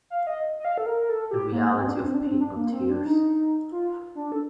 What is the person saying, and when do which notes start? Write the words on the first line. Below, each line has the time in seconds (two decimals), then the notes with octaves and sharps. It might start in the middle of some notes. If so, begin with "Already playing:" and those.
The reality of paper tears.
0.10 F5
0.27 D#5
0.60 D#5
0.65 F5
0.78 A4
0.86 A#4
1.01 A#4
1.09 A4
1.31 G4
1.53 A#3
1.74 C4
1.88 D4
2.00 C4
2.14 D4
2.27 C4
2.40 D4
2.56 A#3
2.73 C4
2.89 D4
3.06 D#4
3.72 F4
4.15 D4
4.32 A4